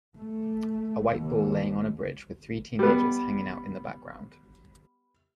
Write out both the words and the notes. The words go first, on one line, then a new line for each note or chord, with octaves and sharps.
A white bull laying on a bridge with three teenagers hanging out in the background.
A3
D#2
G3 B3